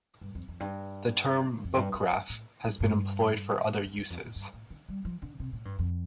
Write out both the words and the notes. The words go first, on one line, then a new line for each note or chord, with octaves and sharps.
The term "book-graph" has been employed for other uses.
G2
F2
F2
G2
F2
G2
F2
G2
A2
G2
G2
F2
G2
F2
F2
G2
A2
D3
G3
F3
D3
C3
A2
G2
F2